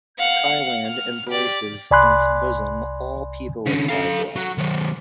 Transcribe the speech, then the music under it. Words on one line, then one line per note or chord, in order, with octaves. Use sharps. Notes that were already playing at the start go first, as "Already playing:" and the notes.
Thailand embraces in its bosom all people of Thai blood.
F5 F#5
F6
G4 D5
C2 D5 G#5 B5 C6 F#6
D3 C#4
A4 F5
F#3
D#3 F#3